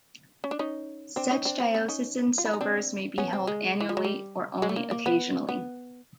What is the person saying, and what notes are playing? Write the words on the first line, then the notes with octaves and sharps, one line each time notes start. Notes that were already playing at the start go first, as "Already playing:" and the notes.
Such diocesan sobors may be held annually or only occasionally.
C#4
D4
C#4 D#4
C4 D4
C#4 D#4
C4 D4
C4
B3 C#4
C#4 D#4
F4
E4
D#4
C4 D4
B3 C#4
C4
G#3
E3
F3
F#3
G3
G#3
A3
A#3
A#3
B3
B3